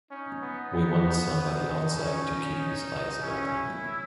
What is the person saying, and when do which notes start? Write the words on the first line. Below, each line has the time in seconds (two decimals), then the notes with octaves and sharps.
We want somebody outside to keep his eyes open.
0.11 C#4 D#4
0.42 B3
0.73 B3
1.36 D#4
1.97 C#4
2.59 D#4
3.22 C#4 E4